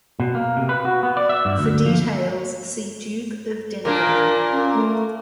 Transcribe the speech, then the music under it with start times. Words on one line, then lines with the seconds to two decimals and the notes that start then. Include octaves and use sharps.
For details, see Duke of Denver.
0.20 B2
0.35 A#3
0.57 C3
0.69 B4
0.85 F#4
1.03 B3
1.17 D5
1.29 E5
1.45 G2
1.59 D2
1.86 F3
3.85 A#2 A#3 D4 A#4
4.52 C#4
4.74 A3